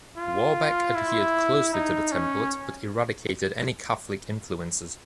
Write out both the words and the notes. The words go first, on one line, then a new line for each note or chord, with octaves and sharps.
Warbeck adhered closely to the template, but eradicated any Catholic influences.
F4
E4
D#4
C#4